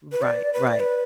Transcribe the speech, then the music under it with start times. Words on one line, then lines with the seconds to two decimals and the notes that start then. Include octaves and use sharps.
Right. Right.
0.12 B4
0.22 D5
0.53 B4
0.67 D5
0.80 B4